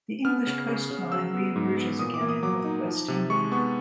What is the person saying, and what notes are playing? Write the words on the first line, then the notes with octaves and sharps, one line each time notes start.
The English coastline re-emerges again in North West England.
B3 F6
C#3
C#3
C#3
F#3 E6
B3
G#2
B3
A#2 D#6
D6
A#3
D#6
F#3 D6
D#4
F3
C3
G#3 C#6
B3 C#6